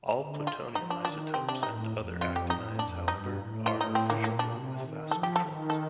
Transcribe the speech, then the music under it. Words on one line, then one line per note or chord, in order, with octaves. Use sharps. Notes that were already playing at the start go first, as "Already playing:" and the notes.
All plutonium isotopes and other actinides, however, are fissionable with fast neutrons.
D3
F4
F3 D#4
D4
D#3 D4
C3 C4
D4
A2 D#4
F2
F4
G4
A2 D#4
F2 D4
G2 D#4
A2
F4
D#4
C4
A#3
A#2 A#3
D4
C3
D#3
F3 A4
G4
D#3 A4
A4